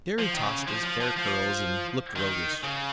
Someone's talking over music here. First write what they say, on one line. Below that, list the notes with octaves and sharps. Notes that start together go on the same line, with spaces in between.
Jerry tossed his fair curls and looked roguish.
F3
D#3
C#3
F3
F3
F3
F3
D#3
C#3